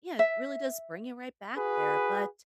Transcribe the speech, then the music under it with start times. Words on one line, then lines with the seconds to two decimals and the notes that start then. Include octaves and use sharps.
yeah, it really does bring you right back there. But,
0.19 E5
1.57 F#4 G#4 B4